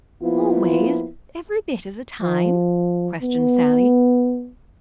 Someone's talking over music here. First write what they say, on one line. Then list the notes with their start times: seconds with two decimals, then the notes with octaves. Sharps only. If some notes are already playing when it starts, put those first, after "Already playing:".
"Always, every bit of the time?" questioned Sallie.
0.21 F3 A#3 B3 E4 F4
2.23 F3
3.22 B3